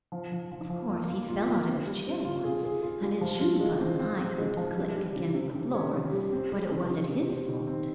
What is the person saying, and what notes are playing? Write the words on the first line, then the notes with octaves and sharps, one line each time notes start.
Of course, he fell out of his chair once, and his shoe button eyes went "Click!" against the floor, but it wasn't his fault.
F3
F3
F3
F3
A#3
A#3
F4
A#3
C4
G3
C4
F4
G#4
G#4
F4
G3
F3
F4
G#3
C4
C4
C4
G#3
F3
G3
G3
C3
C3
C3
C#4
C3
G3
C4
G#3
C3
C3
C3
C4
D#3
C4